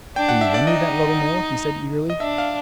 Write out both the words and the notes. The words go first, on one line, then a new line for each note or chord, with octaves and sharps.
"Will you lend me that Little Mill?" he said eagerly.
D4 G5
F#5
E5
D5
D#4 D#5
D#5
D4 E5
F5